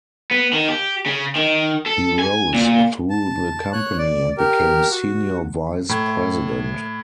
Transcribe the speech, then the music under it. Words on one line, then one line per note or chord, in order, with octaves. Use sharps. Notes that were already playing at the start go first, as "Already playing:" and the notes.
He rose through the company and became senior vice-president.
B3
D#3
G4
C#3
D#3
A4
G#5
A#2
A5
C#5 F#6
D5
G4 A#4
F#4
A2